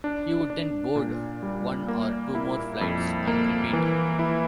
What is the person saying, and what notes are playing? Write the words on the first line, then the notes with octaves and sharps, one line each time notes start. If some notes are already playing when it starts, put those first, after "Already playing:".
He would then board one or two more flights and repeat.
D4
D4
A#2
G3
A#3
E4
F2
A#3
E3
E4